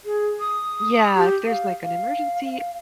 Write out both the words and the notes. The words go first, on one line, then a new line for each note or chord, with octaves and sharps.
yeah, if there's, like, an emergency
G#4
D#6
G4
F5
F5